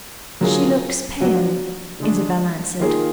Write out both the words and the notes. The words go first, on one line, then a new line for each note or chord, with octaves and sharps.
"She looks pale," Isabel answered.
D3 F#3 A#3 F4 G#4
F#3 D4 F#4
D3 G#3 D4
D#3 A#3 F4 G#4